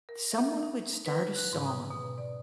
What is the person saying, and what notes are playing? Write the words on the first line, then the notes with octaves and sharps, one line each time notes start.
someone would start a song.
A#4
E5
D#4
B4
F#6
G#2
D#6
B2
D5